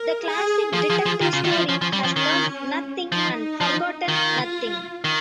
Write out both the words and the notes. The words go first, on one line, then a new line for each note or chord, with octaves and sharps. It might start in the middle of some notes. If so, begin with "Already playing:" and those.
The classic detective story has learned nothing and forgotten nothing.
Already playing: A#4
G#4
F3 G#4
F3
F3
D#3 F4
C#3
D#3
G3
F3
F3 C#4
F3
G3
F3
D#3
F3 D#4
F3
D#3 F4
D#3